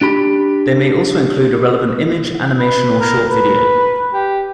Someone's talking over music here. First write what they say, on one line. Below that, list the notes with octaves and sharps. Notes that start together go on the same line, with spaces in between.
They may also include a relevant image, animation or short video.
D4 G4 B5
B4
A#4
B4
G4